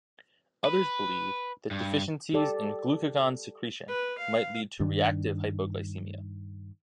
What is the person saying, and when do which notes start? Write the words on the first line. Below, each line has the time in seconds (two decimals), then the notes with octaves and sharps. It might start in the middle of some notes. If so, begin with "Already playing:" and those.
Others believe deficiencies in glucagon secretion might lead to reactive hypoglycemia.
0.65 B4
1.71 G2
2.34 G4 A4 D5
3.88 B4
4.18 F5
4.80 G2 D#3 D4